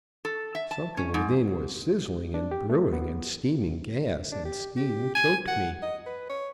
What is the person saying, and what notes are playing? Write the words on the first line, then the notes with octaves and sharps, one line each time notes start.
Something within was sizzling and brewing and steaming; gas and steam choked me.
A4
E5
A5
C#4
G#2
D4
G4
A3
B3
D4
G4
G4
G#5
F#5
D#5
B4
C#5